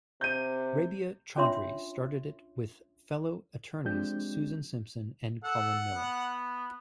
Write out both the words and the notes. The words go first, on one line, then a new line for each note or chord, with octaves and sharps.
Rabia Chaudry started it with fellow attorneys Susan Simpson and Colin Miller.
C3 G6 D#7
C#4 D4 F4 C#5 E5 C6
F3 G#3 C4 D4 G4 G6
A4 F#5
B3